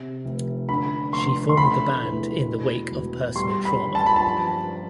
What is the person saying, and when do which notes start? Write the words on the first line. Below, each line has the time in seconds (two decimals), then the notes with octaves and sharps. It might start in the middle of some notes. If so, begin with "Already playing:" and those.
She formed the band in the wake of personal trauma.
Already playing: C3
0.25 F1
0.69 D3 B5
1.13 F1 C6
1.49 C6
1.57 A3 B5
2.02 E2
2.47 B2
2.92 E1
3.35 G3 C6
3.65 B5
3.80 G2
3.95 A5
4.06 B5
4.16 A5
4.24 F3